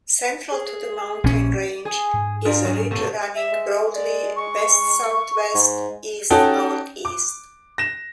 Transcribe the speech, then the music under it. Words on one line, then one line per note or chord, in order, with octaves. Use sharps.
Central to the mountain range is a ridge running broadly west-south-west - east-north-east.
G#4
A#1 C#4
G#4
G#2
D4 F4 A#4
F#2
B2 A3
E5
G#3
D5
C#6
G#2
C#4 D#4 F#4 A4 G5 A5
D6
A#6 E7